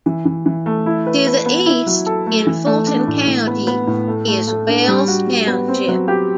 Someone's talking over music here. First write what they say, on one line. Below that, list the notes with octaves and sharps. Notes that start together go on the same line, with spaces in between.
To the east, in Fulton County, is Wells Township.
E3
E3
E3
A3
E4
B4
B4
B3
E4
F#3
A4
A3
E3
A3
D4
A2
A2
B3
B3
A2
A3
A3
A3
D4
G3
F#4
G3
B3
C4
F#3
G4